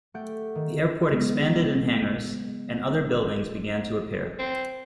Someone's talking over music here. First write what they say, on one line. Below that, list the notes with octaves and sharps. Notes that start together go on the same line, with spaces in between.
The airport expanded and hangars and other buildings began to appear.
A3 G4 F#5 G6 D7
D#3
C#3 F#3 G#3 B3
C4